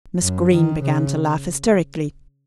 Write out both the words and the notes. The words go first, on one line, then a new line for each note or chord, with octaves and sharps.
Miss Greene began to laugh hysterically.
F#2
D#3
C#3